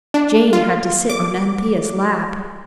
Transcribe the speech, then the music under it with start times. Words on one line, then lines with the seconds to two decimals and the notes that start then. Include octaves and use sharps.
Jane had to sit on Anthea's lap.
0.14 D4
0.53 F4
1.10 D6